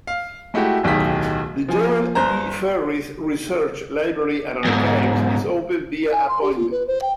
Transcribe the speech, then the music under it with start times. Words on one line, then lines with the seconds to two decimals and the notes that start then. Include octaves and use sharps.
The Joel E. Ferris Research Library and Archives is open via appointment.
0.07 F5
0.54 G#3 A3 E4 F#4 G4
0.83 D1 B1 D#3 G4 G#4 B6
1.68 F3 G#5
2.15 G1 C5 A#5
4.65 E2 G#2
6.12 G#5
6.28 C6
6.42 G4
6.57 F4
6.71 B4
6.87 C5
7.02 G5